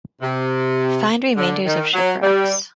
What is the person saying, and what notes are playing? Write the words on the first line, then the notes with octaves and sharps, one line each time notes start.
Find remainders of shipwrecks.
C3
D3
D#3
F#3
G3